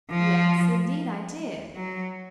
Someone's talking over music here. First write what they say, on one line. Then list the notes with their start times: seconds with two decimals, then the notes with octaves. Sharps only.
"Yes, indeed, I did."
0.11 F3
1.76 F#3